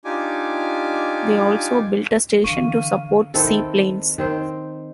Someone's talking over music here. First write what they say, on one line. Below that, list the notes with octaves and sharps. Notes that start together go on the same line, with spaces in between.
They also built a station to support seaplanes.
D4 D#4 F4 G4 G#5 D6
D3 E3 F5 C#6 D#7
D#3 C4 E4 A4
D#3 C4 C5